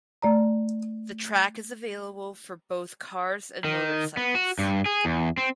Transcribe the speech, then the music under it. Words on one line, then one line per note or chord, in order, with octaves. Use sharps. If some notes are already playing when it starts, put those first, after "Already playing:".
The track is available for both cars and motorcycles.
A3 D5 A#5
D#3
B3
F#4
G2
G#4
E2
C4